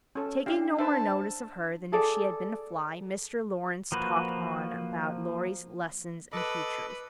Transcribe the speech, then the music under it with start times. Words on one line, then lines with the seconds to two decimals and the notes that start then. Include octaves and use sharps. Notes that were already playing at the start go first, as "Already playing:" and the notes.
Taking no more notice of her than if she had been a fly, Mr. Laurence talked on about Laurie's lessons and teachers.
0.15 C#4 A4
0.46 D4 E4 G4 F5
0.79 B4 C5 E5 A5
1.92 G#4 A4 D5
3.92 F3 A#3 F#4 B4
6.32 A4 B4 D#5 D6